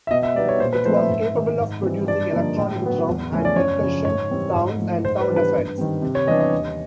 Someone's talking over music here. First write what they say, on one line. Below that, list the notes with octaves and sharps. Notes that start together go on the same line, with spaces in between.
It was capable of producing electronic drum and percussion sounds and sound effects.
E5
B2 D#5
E5
G3 B3 D#4 D5
C#5
A#2 C5
B4
F3 A3 C4 C5
E5
G#2
D#3 G#3
G#2
E3 G3 C4
G2 D5
D3 F3 A#3 D#4
A2
F#3 B3
E2
C#3 F3 A3 C#4
D5
F#2 C#5
C#3 F3
G#2 C#5
E3 G3 C4
G#2
F3 A3
G#2 C5
B4
E3 G3 B3 D4
B4
G2
D#3 G3 C4
C3
C#5
E3 G3 B3 D4 D#5
D#5
D#2